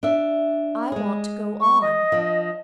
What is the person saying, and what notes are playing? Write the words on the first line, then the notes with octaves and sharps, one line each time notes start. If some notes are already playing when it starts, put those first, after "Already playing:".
"I want to go on."
D4 E5
G#3 G#4
C#6
D#5
F3 D4